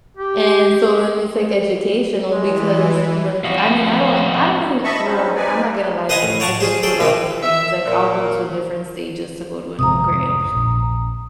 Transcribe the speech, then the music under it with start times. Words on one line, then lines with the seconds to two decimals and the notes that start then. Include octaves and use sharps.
and so then it's like educational because much I mean, I don't I don't really well, I'm not gonna lie to you. I've been to a lot of aquariums, like I'll go to a different state just to go to a new aquarium,
0.17 G4
2.29 E3 G3 G#3
3.44 F2 F#4
4.83 D#5 E5 A5 B5 C#6
5.04 F#3 G#3 C4 C#4 D#4
5.36 C4 D#4 B4 D5 G#5
5.72 E5
6.09 B4 C5 D#5 F#5 G#5 A#5
6.22 A1
6.40 C#5 D5 F#5 A5 C#6
6.60 F4 G#4 C5
6.83 G#4 A4 D5 G5
7.00 B2 D#3 C4
7.42 E5
7.85 A#2
9.79 G#1 F2 C3 A#5 D#6
10.55 A#1